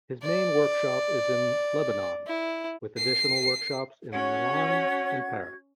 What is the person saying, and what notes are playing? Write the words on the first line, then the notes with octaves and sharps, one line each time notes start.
His main workshop is in Lebanon, with additional workshops in Milan and Paris.
D5
E4
C7
C#4 F#4 C#5 F#5 G#6